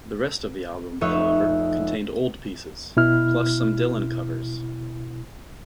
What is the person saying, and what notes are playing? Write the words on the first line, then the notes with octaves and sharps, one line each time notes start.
The rest of the album, however, contained old pieces, plus some Dylan covers.
F1 D#4 C#5 E5 E6 F#6
B2 E4 F6